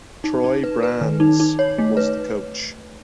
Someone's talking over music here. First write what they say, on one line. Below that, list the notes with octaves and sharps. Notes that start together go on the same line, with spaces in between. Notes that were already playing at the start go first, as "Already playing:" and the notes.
Troy Brandes was the Coach.
D#4
D#4
B4
B4
D#3
D#4
D#4
C#5
A3
B4